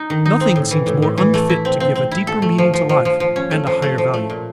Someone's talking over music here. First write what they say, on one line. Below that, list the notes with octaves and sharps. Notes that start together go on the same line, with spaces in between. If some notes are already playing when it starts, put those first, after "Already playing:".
Nothing seems more unfit to give a deeper meaning to life and a higher value.
Already playing: D#4
D#3
D#4
C4
A2
E3
A2
A2
E3
A3
E4
C4
C4
C4
E4
A4
A3
F3
F3
F3
F3
F3
C#4
A3
F3
A3
F3
A3
A#2